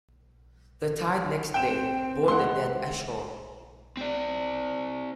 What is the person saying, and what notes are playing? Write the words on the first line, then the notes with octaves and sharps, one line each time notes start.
The tide next day brought the dead ashore.
C4 G5 E7
G#3 F#5 C6
C4 D5